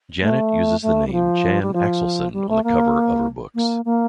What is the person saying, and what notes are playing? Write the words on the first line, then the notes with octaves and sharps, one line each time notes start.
Janet uses the name Jan Axelson on the cover of her books.
A3
A3
G3
F3
G3
F3
G3
A3
A#3
A#3
A#3